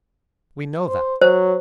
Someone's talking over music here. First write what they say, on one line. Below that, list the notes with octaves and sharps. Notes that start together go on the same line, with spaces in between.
We know that.
C5
F#3 C5